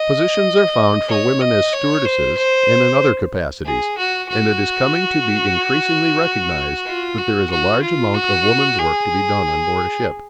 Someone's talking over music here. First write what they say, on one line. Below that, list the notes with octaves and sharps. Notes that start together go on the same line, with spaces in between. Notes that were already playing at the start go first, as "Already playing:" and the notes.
Positions are found for women as stewardesses and in other capacities, and it is coming to be increasingly recognised that there is a large amount of women's work to be done on board a ship.
Already playing: D#5
C#5
D#5
C#5
C5
C5
G#4
F#4
F#4
F4
F#4
F#4
F4
F#4
G#4